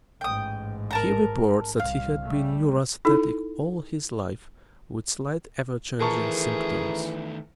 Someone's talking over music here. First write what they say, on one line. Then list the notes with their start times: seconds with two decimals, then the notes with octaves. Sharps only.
He reports that he had been neurasthenic all his life with slight ever-changing symptoms.
0.21 A1 G#2 G5 D#6
0.91 A#4 A5 A#5
1.79 C2 F5
2.23 G3 A3
3.05 D#4 E4 A4
6.00 D#3 E3 A3 G#4 A#4 A5 C#6